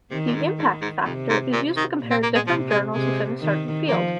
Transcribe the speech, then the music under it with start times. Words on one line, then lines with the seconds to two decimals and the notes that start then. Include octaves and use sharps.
The impact factor is used to compare different journals within a certain field.
0.11 C3 D#3
0.27 A#2
0.35 G#2
0.59 G#2 D#3
0.81 G#2
1.05 F2 C3
1.29 G#2
1.53 A#2
1.77 D#3
2.00 A#2
2.11 C4
2.23 A#3
2.35 G#3
2.47 C3 F3
2.70 G#3
2.94 C3 G#3
3.41 D#3
3.88 F3 A#3